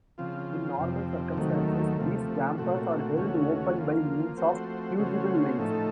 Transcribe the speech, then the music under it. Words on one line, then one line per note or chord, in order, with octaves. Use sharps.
In normal circumstances, these dampers are held open by means of fusible links.
C#3 F3 C4 F4
F2 C3 F3 C4
D#2 D#3 F#3 A3
C3 F3 A3
A#2 A3 C4 F#4
D#2 C#3 A3 C#4 F#4
F3 A#3 F4
F3 A3 C4 F#4 C5
C#3 A3 C#4 F#4 C5
A2 F3 A3 D#4 A4